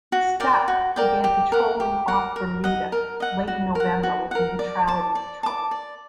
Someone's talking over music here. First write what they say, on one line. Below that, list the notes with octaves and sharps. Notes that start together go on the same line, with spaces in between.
"Stack" began patrolling off Bermuda late in November with the Neutrality Patrol.
F#4
A#4 D5 G5
F#4
A#4 D5 G5
G4
A#4 F#5
G4
A#4 F#5
A#4
D#5 F#5
A#4
D#5 F#5
F#4
A#4 F#5
F#4
A#4 F#5
D5
A5 D6
D5
A5 D6
D5